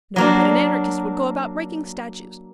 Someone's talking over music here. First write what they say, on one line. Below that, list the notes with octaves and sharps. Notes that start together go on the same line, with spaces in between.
No one but an anarchist would go about breaking statues.
F#3 A#3 D4